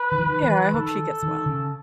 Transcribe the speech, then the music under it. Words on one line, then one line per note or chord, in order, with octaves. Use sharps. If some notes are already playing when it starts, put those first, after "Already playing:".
Yeah, I hope she gets well.
Already playing: B4
D#3
E3
D#3
E3
D#3 A4
D#3
C#3